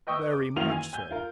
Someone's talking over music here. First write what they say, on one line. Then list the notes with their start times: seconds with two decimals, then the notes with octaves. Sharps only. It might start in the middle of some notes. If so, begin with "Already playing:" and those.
"Very much so."
0.07 B4 D#5 G5 C#6 D#6 E6
0.33 D6
0.56 F#2 D#3 E3 A#3 F5 F7
0.72 G#5
0.93 G#5 G6
1.11 F4 A#4